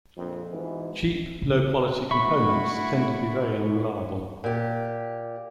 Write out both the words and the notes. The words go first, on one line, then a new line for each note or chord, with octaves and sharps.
Cheap low quality components tend to be very unreliable.
A#1 F2
G#2 B2 E3
C4
C#3
G3 A3 D4 E4 F#4 E5 B5 C#6
A#2 G4